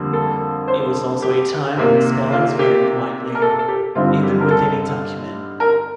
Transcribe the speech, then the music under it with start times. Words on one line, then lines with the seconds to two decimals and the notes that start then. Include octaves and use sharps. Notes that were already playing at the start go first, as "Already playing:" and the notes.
It was also a time when spellings varied widely, even within a document.
Already playing: F2 D3 G3 A#3
0.13 A4
0.68 C5
1.22 G4
1.77 C3 D#3 A#3
2.32 F4
2.59 G4
3.35 A#4
3.42 A4
3.59 A4
3.68 G4
3.95 G2 D3 G3 C4 D#4 F4
4.23 G4
4.41 A#4
4.50 A4
5.60 A#4